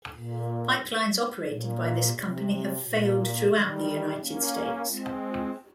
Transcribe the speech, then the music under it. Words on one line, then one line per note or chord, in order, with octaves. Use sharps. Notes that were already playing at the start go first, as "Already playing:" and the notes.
Pipelines operated by this company have failed throughout the United States.
A#2
A#2
C3
A#2
D#3 G3
A#3 C#4
G#3 C4